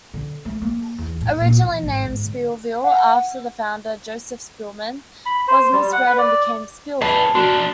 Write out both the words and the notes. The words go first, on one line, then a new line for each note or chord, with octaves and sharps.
Originally named Spielville after the founder, Joseph Spielman, it was misread and became Spillville.
D3
A3
A#3
E2
A2
A#2
E3
G#1
G#2
D3
F#5
B5
C5
G3
F#5
B4
D5
G#4 B4 A5
D4 F#4 A#4